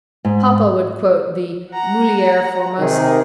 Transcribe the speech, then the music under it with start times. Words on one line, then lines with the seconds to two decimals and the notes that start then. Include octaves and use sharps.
"Papa would quote the 'mulier formosa'".
0.25 G#2
1.71 F#5 A#5
2.79 C3 D#3 G#4